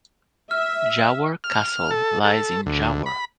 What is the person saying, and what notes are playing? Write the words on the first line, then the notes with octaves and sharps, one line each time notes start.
Jawor Castle lies in Jawor.
E5 F6
F6
A4
A4
D2
B5